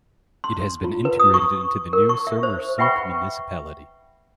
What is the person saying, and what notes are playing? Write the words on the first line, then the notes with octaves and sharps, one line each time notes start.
It has been integrated into the new Sermersooq municipality.
C6
F4
B4
D#6
C#6
A#4
C#6
E5
C5
B4 E5 F#5 G5 B5 C#6